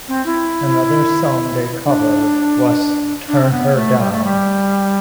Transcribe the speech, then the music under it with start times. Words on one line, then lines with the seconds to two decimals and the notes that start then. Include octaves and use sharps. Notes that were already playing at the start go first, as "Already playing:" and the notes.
Another song they covered was "Turn Her Down".
0.08 C4
0.26 E4
1.85 D4
3.28 D4
3.42 C4
3.51 B3
3.75 A3
3.99 G3
4.11 A3
4.24 G3